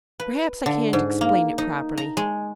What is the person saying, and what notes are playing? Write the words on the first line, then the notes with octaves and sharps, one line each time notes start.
Perhaps I can't explain it properly.
B4
D3
G#2
A#3
D#4
A#5
G#3